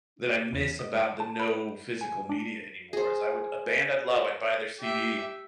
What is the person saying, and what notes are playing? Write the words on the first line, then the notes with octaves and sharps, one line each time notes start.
that I miss about the no physical media anymore is I would a band I'd love, I'd buy their CD,
G4
E2
D#5
G#2
A5
B4
G#5
D4
G#4 C5
G4 E5